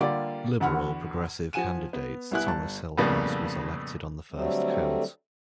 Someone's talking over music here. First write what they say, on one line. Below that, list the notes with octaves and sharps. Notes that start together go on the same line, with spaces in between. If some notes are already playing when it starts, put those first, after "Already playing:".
Liberal-Progressive candidate Thomas Hillhouse was elected on the first count.
D3 G3 A#3 F4 G4 D5
E2 D3 F#4 F#5 B5 F6
F3 F#5 G#5 D#7 E7
B3
C2 B3 E4 G#5 F#6
G1 A5
F2 A2 C#3 G3 A#3 B3
D3 F#3 G3 A3 C4